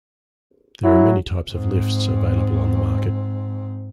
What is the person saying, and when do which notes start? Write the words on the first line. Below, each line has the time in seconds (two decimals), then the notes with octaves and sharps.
There are many types of lifts available on the market.
0.84 F#3 E4
1.51 G#2 C4